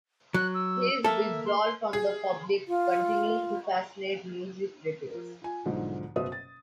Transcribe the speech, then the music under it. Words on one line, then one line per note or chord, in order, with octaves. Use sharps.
His withdrawal from the public continues to fascinate music critics.
F#3 F#6
E6
A#3 A4 E5
C6
G#4
F4
F3 A#4
F4 G#5
B1 G#2 D3 F3
F#1 B2 B4 C5 E5 D#6
A6